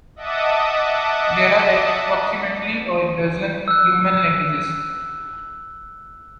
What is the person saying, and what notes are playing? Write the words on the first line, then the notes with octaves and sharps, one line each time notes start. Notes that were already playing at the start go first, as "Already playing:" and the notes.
There are approximately a dozen Yuman languages.
D#5 E5 F#5 A5 D6 D#6
E6 F#6